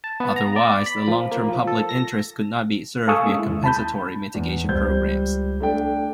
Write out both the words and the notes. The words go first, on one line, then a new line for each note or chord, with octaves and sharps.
Otherwise, the long-term public interest could not be served via compensatory mitigation programs.
A5
B3
A#5
D5
B5
F3
A#3
F3
A4
A#6
A4 F5 G#5 C#6 D#6 E6
A#3 C#4
G#3 E4
D#2
A5 B5 G6
E2
C#2 G3 C5 G6
A3 D4 G5